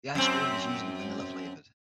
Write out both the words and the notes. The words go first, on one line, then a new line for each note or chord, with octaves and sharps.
The ice cream is usually vanilla flavoured.
F#2 C4